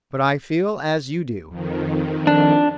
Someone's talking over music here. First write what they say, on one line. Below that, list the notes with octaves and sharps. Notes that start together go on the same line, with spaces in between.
But I feel as you do.
F2 D#3
D4